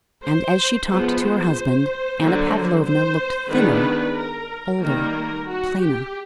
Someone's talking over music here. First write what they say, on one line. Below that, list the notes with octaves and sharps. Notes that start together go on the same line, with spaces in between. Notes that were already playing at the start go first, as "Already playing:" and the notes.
And as she talked to her husband Anna Pavlovna looked thinner, older, plainer.
C5
F3 G#3 B3 C5
D3 F#3 A#3
C5
D#3 G#3 B3 D4 B4
A#4
D#3 G3 A#3 A#4
F#4
G4